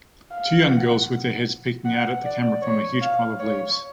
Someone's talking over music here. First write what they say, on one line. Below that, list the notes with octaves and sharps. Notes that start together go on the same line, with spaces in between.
Two young girls with their heads peeking out at the camera from a huge pile of leaves.
F5
F#5
F#5
D5
C#5
F5
C#5